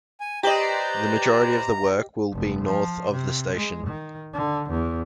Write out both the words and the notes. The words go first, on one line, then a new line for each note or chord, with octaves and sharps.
The majority of the work will be north of the station.
G#5
G4 B4 C5 D5 D#5 A#5
F1
F3
C3
G#3
D#3
D3
E2